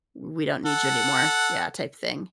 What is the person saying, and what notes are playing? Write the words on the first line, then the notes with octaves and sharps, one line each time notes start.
"We don't need you anymore," yeah, type thing.
A4 F#5